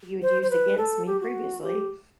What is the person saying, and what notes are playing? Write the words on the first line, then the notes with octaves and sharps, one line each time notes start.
you had used against me previously eh,
C5
C5
B4
A4
G4
F#4
G4